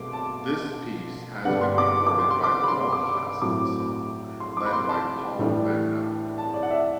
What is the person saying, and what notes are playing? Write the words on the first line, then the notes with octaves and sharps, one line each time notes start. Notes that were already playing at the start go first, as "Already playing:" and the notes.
This piece has been recorded by the Huelgas Ensemble, led by Paul Van Nevel.
Already playing: B2 A3 C6 D6
A5
G2 D3 G3 B3 D4 F#5
C6
D6
D6
C6
C6
D6
B5
C6
D6
A2 F#3 C4 D6
C6
D6
B5
C6
A5
A2 E3 G3 D4
A5
D5
F#5
E5